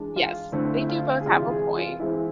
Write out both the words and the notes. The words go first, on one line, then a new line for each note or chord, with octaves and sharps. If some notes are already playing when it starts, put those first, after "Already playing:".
Yes, they do both have a point.
Already playing: E3 G#3 D4
F4
D3 A3 C4 E4
E4
F4
G#4
C3 E3 G#3 F4
F4
G#4
F4
E3 G#3 C4 E4